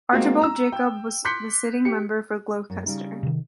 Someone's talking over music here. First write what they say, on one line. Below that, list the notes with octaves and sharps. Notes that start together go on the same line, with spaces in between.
Archibald Jacob was the sitting member for Gloucester.
G#3 A#3 C4 F#4
A#5 E6
G5
C6 D6 F#6 G6 B6 C#7
G4 C#7
F#2
C#3 G3 D#4
C3 D#3